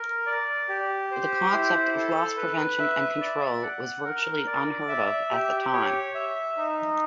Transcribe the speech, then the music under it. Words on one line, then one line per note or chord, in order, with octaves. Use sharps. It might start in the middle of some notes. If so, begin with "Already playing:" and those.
The concept of loss prevention and control was virtually unheard of at the time.
Already playing: A#4
D5
G4
C5
E4
A4
B4
E5
D5
F#5
A#4
D5
E5
G4
C#5
E5
D#4